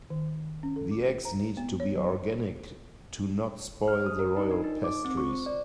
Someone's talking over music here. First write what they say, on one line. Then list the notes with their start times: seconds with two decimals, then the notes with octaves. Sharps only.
The eggs need to be organic to not spoil the royal pastries.
0.10 D#3
0.63 C#4
0.76 A4
0.91 D6
1.25 A#5
1.57 B3
1.80 C#5
1.96 F#3
3.88 F6
4.06 D#6
4.19 A#4
4.37 D#4
4.51 D4
4.64 D#4
4.84 D6
5.05 C4
5.17 C#6
5.29 C5
5.46 D5